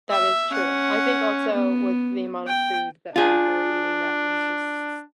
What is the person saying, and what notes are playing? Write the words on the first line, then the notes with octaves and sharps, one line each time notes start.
That is true. I think, also, with the amount of food that people were eating, that was just s
E5
C#4 F#5
B3
G5
D4 F4 G#4